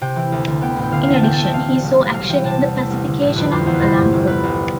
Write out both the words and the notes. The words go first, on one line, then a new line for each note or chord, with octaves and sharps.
In addition, he saw action in the pacification of Olancho.
C3 G5
E3
D2
D2
B3 G5
A1
G5
D3 F5
E2 F5
A5
D2 G5
A3 A5
G5
E1 F5
E1
C2
C2
B1 F5
E3 G5
C3 A5
E2
A3
C2
D3
A1
F2 B4
F2 C5
E2 C5
B4
C3 C5
G2
G1
G3 B4
C2